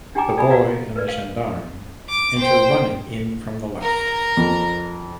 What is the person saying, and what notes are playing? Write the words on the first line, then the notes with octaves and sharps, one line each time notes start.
The boy and the gendarme enter running in from the left.
D4 G4 G5 G#5 A#5 D6
A4 D5 G#5 A#5 B5
F#4 A#4 D5 F5 F#5 A#5
A#4 B4 D5
F5
D6
C5 G5
A#4 A#5
F2